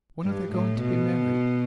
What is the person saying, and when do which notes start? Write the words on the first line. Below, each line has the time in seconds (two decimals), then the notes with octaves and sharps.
When are they going to be married?'
0.24 G2
0.52 A2
0.81 B2